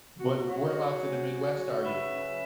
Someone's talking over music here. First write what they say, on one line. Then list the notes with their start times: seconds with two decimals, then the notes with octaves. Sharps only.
but whereabouts in the Midwest are you?
0.20 C#3 F#4
0.47 F#3
0.75 C#3
1.02 C#4
1.30 C#3
1.57 F#3
1.85 C#3 B4 E5
2.12 C#4